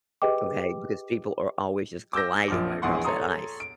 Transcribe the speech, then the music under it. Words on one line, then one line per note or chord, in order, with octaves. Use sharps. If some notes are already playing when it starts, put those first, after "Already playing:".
okay, because people are always just gliding right across that ice.
G4 G#4 B4 D#5 G5 D6
D6 E6 G6 A#6
A#1 F3 D6
A#1 E2 G#4 F#5 C6 C#6
A4 C#5 A#5 C6 D#6
D7